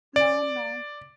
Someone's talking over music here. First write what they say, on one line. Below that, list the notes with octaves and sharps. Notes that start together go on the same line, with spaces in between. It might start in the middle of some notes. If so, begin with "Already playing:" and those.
Law no.
D5